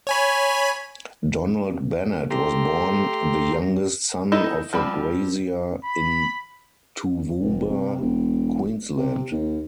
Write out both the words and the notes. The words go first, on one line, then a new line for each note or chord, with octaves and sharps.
Donald Bennett was born the youngest son of a grazier in Toowoomba, Queensland.
C#5 G#5 B5
A3 G4 A#5 C6
D#4 E4 A4 D#5
F3 G3 C4 B5
B5
F1
C3
E1
C3
D#2